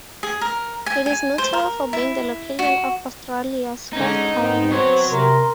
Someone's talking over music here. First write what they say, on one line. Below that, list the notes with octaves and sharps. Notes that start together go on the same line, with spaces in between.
It is notable for being the location of Australia's first ironworks.
G#4
A#4
G#5
G#5
C5
A#4
E4
F#4
D3 G#3 C#4 D#4
G#2 B3 C4
F#3 C5 C#5
C3 A#4 C6